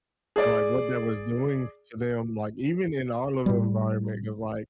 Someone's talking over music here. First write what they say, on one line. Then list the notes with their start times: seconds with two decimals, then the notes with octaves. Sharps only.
and, like, what that was doing to them, like, even in our little environment, 'cause, like
0.36 G#4 D5
3.46 A2 G3